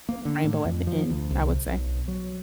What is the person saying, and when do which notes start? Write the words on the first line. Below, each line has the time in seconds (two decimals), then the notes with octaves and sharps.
there's a rainbow at the end, I would say.
0.09 A#3
0.25 D3
0.44 A2
0.65 F2
0.87 F3
1.10 D2
1.31 C2
1.67 B1
2.08 F#3